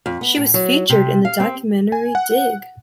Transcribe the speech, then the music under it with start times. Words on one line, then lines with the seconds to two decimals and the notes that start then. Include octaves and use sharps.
She was featured in the documentary Dig!
0.06 F2
0.21 B3
0.37 A2
0.54 F#3
0.90 C3
1.25 F5
1.40 C4
1.92 G#5
2.15 F#5